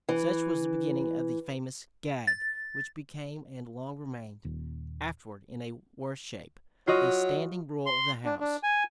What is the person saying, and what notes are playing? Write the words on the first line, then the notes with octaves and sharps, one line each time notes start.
Such was the beginning of the famous "gag" which became and long remained--afterward in a worse shape--a standing rule of the House.
E3
A6
D#1
F#3 F4 F#4 D#5
C6
D4
D4
G#5